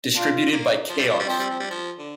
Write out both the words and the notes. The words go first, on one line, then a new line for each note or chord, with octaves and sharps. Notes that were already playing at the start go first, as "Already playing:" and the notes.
Distributed by Chaos!
D4 F4
A#3
F3
G3
F3
G3
F3 C4
G3
F3
G3
F3
D3